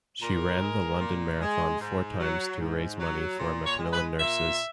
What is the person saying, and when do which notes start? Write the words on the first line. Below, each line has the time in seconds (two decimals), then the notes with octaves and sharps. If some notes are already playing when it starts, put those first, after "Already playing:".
She ran the London Marathon four times to raise money for Macmillan Nurses.
0.22 A#2 A#4
0.61 G#3
1.00 A#2
1.41 G#3
1.80 G#2
2.20 F#3
2.59 G#2
2.99 F#3
3.39 A#2
3.66 C#5
3.79 G#3
3.92 B4
4.18 A#2 E5